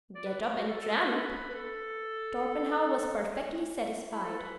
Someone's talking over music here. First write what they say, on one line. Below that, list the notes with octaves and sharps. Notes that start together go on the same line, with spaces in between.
Get up and tramp.' Torpenhow was perfectly satisfied.
D5
B4
A3
F#4
A4
A4
B4
A4
B4
B4
A4
E4
A4
B4